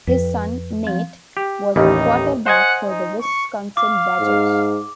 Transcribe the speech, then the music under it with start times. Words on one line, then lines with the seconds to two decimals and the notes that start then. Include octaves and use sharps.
His son, Nate, was a quarterback for the Wisconsin Badgers.
0.07 F2 B4
0.84 F3 C4
1.37 G4
1.76 A1 D#2 G3 D#4
2.46 C5 D#5 F#5 G#5
2.88 D#4
3.20 C#6
3.77 F5 D6
4.20 G#2